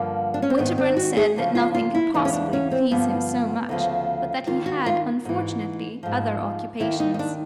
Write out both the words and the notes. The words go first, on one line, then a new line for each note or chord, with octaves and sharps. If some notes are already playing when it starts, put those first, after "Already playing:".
Winterbourne said that nothing could possibly please him so much, but that he had unfortunately other occupations.
Already playing: G2 D3 F3 A#3
D4
C#4
C4
G#2 D#3 B3
C4
F#4
G#4
D2 C#3 F3
F4
F4
E4
E2 C#3 E3 D#4
C#4
D4
C#4
C4
G2 D3 F3 B3
D2 C#3 F3
D#2 D#3 F4
F#4
F4
G#2 E3
G#2 F3
D#2 D#3 E4
D#4
D#4
D4